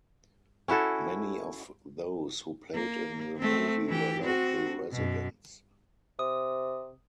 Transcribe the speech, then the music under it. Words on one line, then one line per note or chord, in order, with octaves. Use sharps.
Many of those who played in the movie were local residents.
C#4 E4 F#4 A4
A#3
A3 C4
E3 G4
C4 F#4
F#2 B2
C3 D#6